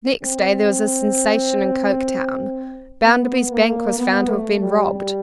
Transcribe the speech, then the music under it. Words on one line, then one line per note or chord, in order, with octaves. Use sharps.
Next day there was a sensation in Coketown. Bounderby's bank was found to have been robbed.
C4
B3
A#3
B3
A3
G3
G3